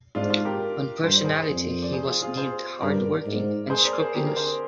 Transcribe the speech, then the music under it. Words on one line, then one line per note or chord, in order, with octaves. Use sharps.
On personality he was deemed hardworking and scrupulous.
G#2 D4 F4
D4 F4
G4 A#4
G2 C5
D5
G#4 C5
F2
D5
G#4 C5
F4 G#4
F4 G#4
G#4 C5
G2 A#4 D5
G#2
G#4 C5
A#4 D5
G#4 C5
D3 G4 A#4
A#4
G#4 C5